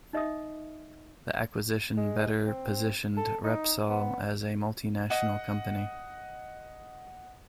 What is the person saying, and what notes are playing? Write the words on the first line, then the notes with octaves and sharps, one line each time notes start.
The acquisition better positioned Repsol as a multinational company.
D#4 D#5 E5 D#6
G#3
C4
A4
D#4
B3
D#5 F#5